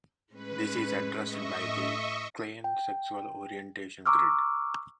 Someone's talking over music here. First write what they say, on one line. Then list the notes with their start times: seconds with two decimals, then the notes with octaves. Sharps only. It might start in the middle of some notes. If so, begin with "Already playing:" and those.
This is addressed by the Klein Sexual Orientation Grid.
0.33 A2 G#3 C#4 B4
1.25 D#5 E5 C#6
1.56 A2 A3
2.64 G5
4.06 A#5 C#6 D6 E6 F6